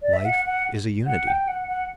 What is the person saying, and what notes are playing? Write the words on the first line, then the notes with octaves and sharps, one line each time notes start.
Life is a unity.
D5
E5
F#5
F#5
F#5
G5
F#5
F#5